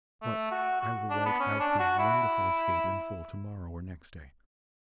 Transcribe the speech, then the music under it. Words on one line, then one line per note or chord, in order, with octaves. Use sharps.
But I will write out his wonderful escape in full to-morrow or next day.
A3
F#4
F#4
D4
B3
C#4
D4
F#4
E4